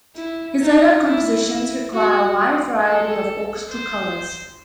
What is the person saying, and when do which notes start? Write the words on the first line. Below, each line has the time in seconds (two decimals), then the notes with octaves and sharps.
His later compositions require a wide variety of orchestral colours.
0.16 E4
0.61 D#4
1.05 E4
1.49 E4
1.93 F#4
2.81 A4
3.70 C5